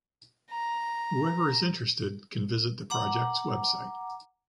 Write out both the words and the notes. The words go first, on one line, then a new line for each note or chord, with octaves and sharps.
Whoever is interested can visit the project’s website.
A#5
F#5 A#5 D6